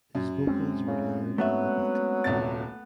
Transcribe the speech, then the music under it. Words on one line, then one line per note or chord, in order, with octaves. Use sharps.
His vocals were layered on the beat.
F#2
G#3 C4 C#4
C#3
F#3 A3 B3 E5
D#1 C2 A6